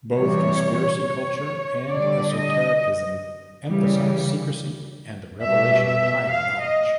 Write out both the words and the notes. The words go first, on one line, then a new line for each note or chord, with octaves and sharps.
Both conspiracy culture and esotericism emphasize secrecy and the revelation of higher knowledge.
C3 E3 G3 C#5
C#5
D3 G3 D5
D#5
C#3 E3 G3
B2 G3 E5
E5
F5
D#5